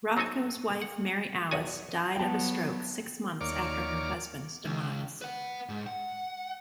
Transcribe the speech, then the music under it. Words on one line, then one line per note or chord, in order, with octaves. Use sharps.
Rothko's wife Mary Alice died of a stroke six months after her husband's demise.
F#3 C4 D#4 A4 G#5
F#5
B1 E2 F#4 G#5
F#3 B3 G5 A5
D#2 A#3 C#5 D5 D6 F6
C#2
B4 F#5
G#2
F#5